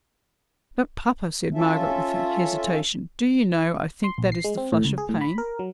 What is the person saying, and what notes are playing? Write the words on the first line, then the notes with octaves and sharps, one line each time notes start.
'But, papa,' said Margaret, with hesitation, 'do you know, I think that is the flush of pain.'
C#4 F4 A4 E5
C6
A#1
C7
G#3
C4
A2
C#2
G#4
A2
B5
A#4
F#3